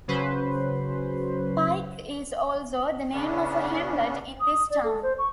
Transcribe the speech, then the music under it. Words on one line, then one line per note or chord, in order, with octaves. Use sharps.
Pike is also the name of a hamlet in this town.
C#3 F#3 C#4 B4 C5
C#3 B3 C#4 D4
D#6
D#6
D5
A4
C5
C#6